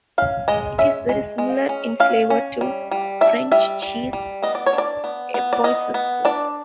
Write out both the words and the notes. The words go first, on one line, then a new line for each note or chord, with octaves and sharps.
It is very similar in flavor to the French cheese Epoisses.
C#4 F5
G#3 D#5
C#4 E5
G#3
G#3
C#4
C#4 F5
C#4
G3
G3
D4 E5
G3 E5
G3
G3
B3 D#5
D5
C#5
D4
D5
B3
B3
D5
B3 D#5
B3
D4 D5